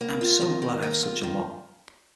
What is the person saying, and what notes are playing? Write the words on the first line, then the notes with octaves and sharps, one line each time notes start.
I’m so glad I have such a lot.
A#3
F4
D#3
D#3
A#3
F4
D#3